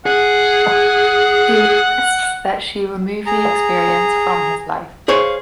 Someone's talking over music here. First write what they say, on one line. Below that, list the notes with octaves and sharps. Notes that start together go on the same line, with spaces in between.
He requests that she remove the experience from his life.
G#4 F#5
G#4 A#5
G#4 C5 C#5 F5